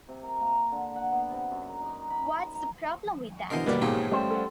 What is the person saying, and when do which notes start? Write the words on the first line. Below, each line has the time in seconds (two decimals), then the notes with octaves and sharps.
What's the problem with that?
0.09 C3
0.23 A#4
0.41 A#3
0.72 D3
0.96 F#5
1.12 B3
1.31 C3
1.51 F#2
1.69 A#4
1.82 D#4
2.10 B5
2.55 A#5
3.50 B2 D3 E3 A#4 C5 D#5
3.67 F#2 B2 D#3 G3 A#3 B4 D5 F#5
3.82 A1 G#2 B2 F3 A#3 G4 G#4 B4
4.11 G3 A3 C#4 C5 G5
4.31 A4 F#5